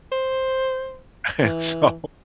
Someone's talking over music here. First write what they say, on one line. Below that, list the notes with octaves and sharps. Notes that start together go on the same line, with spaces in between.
And so,
C5
E3